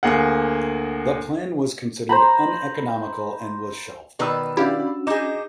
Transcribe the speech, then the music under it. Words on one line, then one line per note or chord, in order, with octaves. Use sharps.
The plan was considered uneconomical and was shelved.
D2 A#3 G#4 F#5
C5 A#5 B5
B2 D#3 B4 D5 E6
C#4 D4 E4 F#4 G4 D5 F5 B5
D#4 G#4 D6 G6 A#6 E7